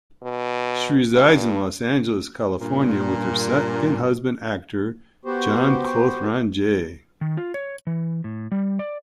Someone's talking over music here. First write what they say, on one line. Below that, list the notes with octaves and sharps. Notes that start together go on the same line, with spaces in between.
She resides in Los Angeles, California with her second husband actor, John Cothran J.
B2
G2
G2 A#2
B3 F#4 G4 C5
D#3
F4
C#5
E3
A2
G3
D5